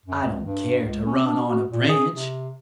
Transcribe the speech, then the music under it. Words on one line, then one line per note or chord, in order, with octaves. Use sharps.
I don't care to run on a branch.
F#2
C#2
G2
C#2
C#4
D4
F#4
A#2
G#4
C3